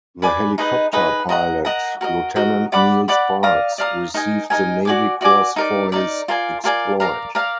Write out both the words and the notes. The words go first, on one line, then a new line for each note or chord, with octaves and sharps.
The helicopter pilot, Lieutenant Neil Sparks, received the Navy Cross for his exploit.
B4 D5 G#5 D6
D#4 G#4 B4 D#5
D#4 G#4 B4 D#5
A#4 D#5 F#5 A#5
A#4 D#5 F#5 A#5
F#4 A#4 D#5
F#4 A#4 D#5
D5 F#5 B5 D6
D5 F#5 B5 D6
D5 F5 A#5 D#6
D5 F5 A#5 D#6
D#4 A#4 D#5 G#5
D#4 A#4 D#5 G#5
F#4 D5 G#5 D6
F#4 D5 G#5 D6
D#4 A#4 D5
D#4 A#4 D5
F4 A#4 D5 G#5
F4 A#4 D5 G#5
A#4 D5 F5 A#5
A#4 D5 F5 A#5